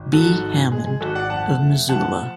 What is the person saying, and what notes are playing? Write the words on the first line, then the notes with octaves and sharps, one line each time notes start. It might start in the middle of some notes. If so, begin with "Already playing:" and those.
B. Hammond, of Missoula.
Already playing: G#1
G#2 F#4 A4
G#1
G#3 G#4
G#4
G#1 F#4 A4
D5 F#5
F2 F#5 A5
A3
F3 F#5 A5